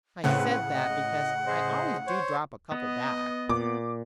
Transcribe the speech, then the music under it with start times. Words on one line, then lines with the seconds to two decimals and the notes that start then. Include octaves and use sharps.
I said that, because I always do drop a couple back.
0.24 A2 C#3 C4 B4 F#5
0.75 D#5
1.46 G#4 C5 D#5
2.07 C5 C#5
2.72 B3 D#5
3.49 A#2 D6